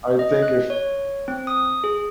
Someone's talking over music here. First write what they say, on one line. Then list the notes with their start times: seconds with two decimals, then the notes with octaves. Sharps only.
I think i
0.19 D#5
0.42 F#6
0.70 C#5
1.28 C4
1.47 D#6
1.84 G#4